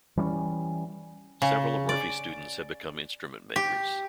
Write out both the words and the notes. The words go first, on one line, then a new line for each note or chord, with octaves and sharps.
Several of Murphy's students have become instrument makers.
E3 G3 C4 C#4
C#3
D5
G4